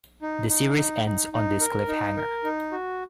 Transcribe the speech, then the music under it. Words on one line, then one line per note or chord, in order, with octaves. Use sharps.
The series ends on this cliffhanger.
D#4
D#4
D#4
D#4
D#4
A#4
D#4
A#4
D#4
F#4